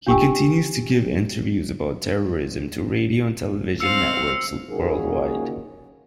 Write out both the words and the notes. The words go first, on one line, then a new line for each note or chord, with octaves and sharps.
He continues to give interviews about terrorism to radio and television networks worldwide.
D4 F4 G4 G5 G#5 E6
C4 F5 E6 C#7
A#2 D#3 A#3 C#4 F#4 G#4